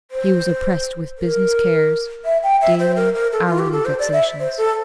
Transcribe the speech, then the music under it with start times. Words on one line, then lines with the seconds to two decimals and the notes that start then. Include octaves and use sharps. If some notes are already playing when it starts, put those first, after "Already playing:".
He was oppressed with business cares; daily, hourly vexations.
0.11 C5
1.18 A#4
2.25 E5
2.43 G5
2.62 E5
2.79 C5
2.96 A#4
3.15 A#4
3.33 A4
3.46 F4
3.59 G4
3.72 A4
3.85 C5
3.99 D5
4.13 E5
4.40 C5
4.58 A4